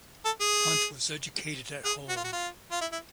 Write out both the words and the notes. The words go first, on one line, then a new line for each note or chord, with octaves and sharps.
Hunt was educated at home.
A4
G#4
G#4
F#4
F4
F#4
F4
F4
E4
E4